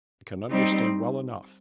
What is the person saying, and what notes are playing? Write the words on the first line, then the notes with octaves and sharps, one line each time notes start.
I can understand well enough.
G3 C4 D#4